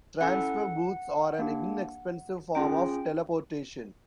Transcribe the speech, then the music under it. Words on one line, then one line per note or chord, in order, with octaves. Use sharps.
Transfer booths are an inexpensive form of teleportation.
C#4 E4 A4 F#5
A#3 D4 G4
C#4 F4 G#4 G5